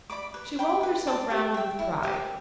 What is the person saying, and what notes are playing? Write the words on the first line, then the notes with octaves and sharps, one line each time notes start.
She walled herself round with pride.
D5 B5 D6
B4
G5 B5 D6
B4
D5 A5
G4
E5 G5
E4
G4 E5